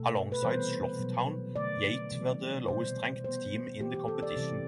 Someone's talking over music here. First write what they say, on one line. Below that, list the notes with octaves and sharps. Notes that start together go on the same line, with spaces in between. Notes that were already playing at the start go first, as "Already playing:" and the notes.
Alongside Slough Town, Yate were the lowest ranked team in the competition.
Already playing: B2 A3 A4
B4
C3 E3 G3 B3 C5
B2 F#3 B3
D3 A3 D5
C3 E3 G3 B3
B2 G3 B3 C5
C3 G3 B3 C5
E3 A3 G4
G4
A4
D5
C3 E3 G3